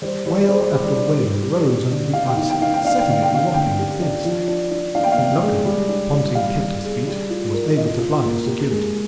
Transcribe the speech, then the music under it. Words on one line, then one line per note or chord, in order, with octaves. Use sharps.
Whale after whale rose under the ice, setting it rocking fiercely; luckily Ponting kept his feet and was able to fly to security.
G3 C5
G3
D5
G#4 C5
D5
G3
D4
G3
G4
G4
D3
G4 F5
G5
D#4 F5
G5
D#4 F5
G5
D4 F5
G5
D3 F5
G5
D3 F5
D3 G5
G4
D4
F3
D4
D4
D4 F5
G5
F5
C3
G#3
G3
D4
G3
G3 F5
G3
G#4
G3
F4
A#4
F4 D#5
F4
A#3
G4
G#3